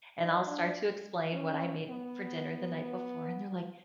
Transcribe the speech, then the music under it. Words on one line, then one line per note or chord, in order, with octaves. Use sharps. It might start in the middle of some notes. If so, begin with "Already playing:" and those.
and I'll start to explain what I made for dinner the night before, and they're like,
D#4
D4
C#4
B3